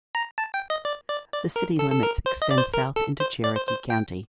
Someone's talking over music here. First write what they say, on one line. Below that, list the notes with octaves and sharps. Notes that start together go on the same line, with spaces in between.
The city limits extend south into Cherokee County.
A#5
A5
G5
D#5
D5
D5
D5
A#4
A4
A4
A#4
C5
D#5
D5
C5
A#4
A4
C5
D5
C5
C5
G5